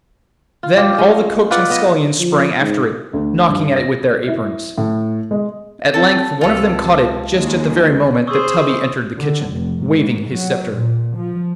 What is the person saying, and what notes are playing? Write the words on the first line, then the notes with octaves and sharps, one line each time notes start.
Then all the cooks and scullions sprang after it, knocking at it with their aprons. At length one of them caught it just at the very moment that Tubby entered the kitchen, waving his sceptre.
F4
F4 G4
G#3 C#4
F4 B4 D5 F#5
B3 D#5
F3
G#2
D2
G2
A#6
E4
A2
G#3
C4 A4 A5
C#2 C3 F4 A4
D#2 G#3
G#4 C5 C#6 D#6 E6
D3
F1
G#2
F#3
A#2
F3